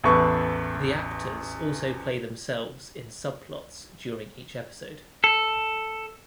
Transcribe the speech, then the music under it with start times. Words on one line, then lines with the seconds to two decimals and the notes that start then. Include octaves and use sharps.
The actors also play themselves in subplots during each episode.
0.04 A1 E2 E3 A4 B4 C#6
5.24 A4